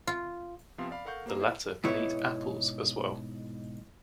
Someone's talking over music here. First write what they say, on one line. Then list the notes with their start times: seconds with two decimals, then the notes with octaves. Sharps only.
The latter can eat apples as well.
0.07 F4
0.78 C3 F3 B3 C4 F5 C6
0.91 D5 F5 B5
1.05 A4 A#4 F5 F#5 C#6 G6
1.26 A#3 G4 C5 A#5
1.40 E4 C5 D5
1.84 G#2 B2 E4 B4 C#5